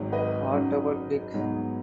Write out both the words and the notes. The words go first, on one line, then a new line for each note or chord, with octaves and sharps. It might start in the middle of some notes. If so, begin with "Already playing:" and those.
What About Dick?
Already playing: G#1 G#2 F#3 D#4
B4 D#5
F#2 F#3 D#4
G#2 F#3 B3 D#4